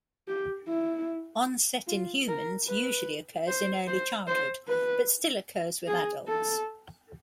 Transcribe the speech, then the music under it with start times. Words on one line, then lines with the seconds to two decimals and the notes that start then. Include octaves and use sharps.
Onset in humans usually occurs in early childhood, but still occurs with adults.
0.28 G4
0.67 E4
1.87 F4
2.28 A#4
2.67 B4
3.47 C5
3.87 C5
4.27 C5
4.67 B4
5.87 G#4
6.28 A4